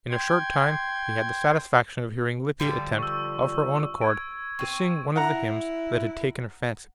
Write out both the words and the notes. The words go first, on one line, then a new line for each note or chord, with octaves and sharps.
In a short time he had the satisfaction of hearing Lippy attempt, of her own accord, to sing one of the hymns that had taken her fancy.
G5 C6 G#6
D3 F3 G3
C#6 E6
G#6 D7
C4 C#6 D#7
E4 F#5 A#5